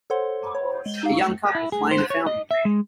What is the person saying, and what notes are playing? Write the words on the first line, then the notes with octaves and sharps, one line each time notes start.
A young couple play in a fountain.
A4 C5 C#5 F#5 C6
C#5
G#3 G7
D#4 G4 F5
E4
G#4
C5
C#5
D#5
E5
G#3